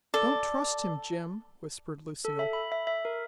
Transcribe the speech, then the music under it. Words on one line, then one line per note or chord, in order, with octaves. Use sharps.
"Don't trust him, Jim," whispered Lucille.
A4 D5
A4
E5
B5
E5
E5
A#4